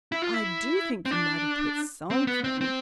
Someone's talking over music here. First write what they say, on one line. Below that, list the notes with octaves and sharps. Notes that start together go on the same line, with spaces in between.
"I do think you might have put something."
E4
F4
E4
C4
D4
C4
B3
C4
C4